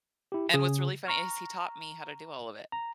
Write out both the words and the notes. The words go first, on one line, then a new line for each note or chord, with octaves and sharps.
and what's really funny is he taught me how to do all of it.
E4 G4
C#3 G#4
A#5 C#6 F6
A#5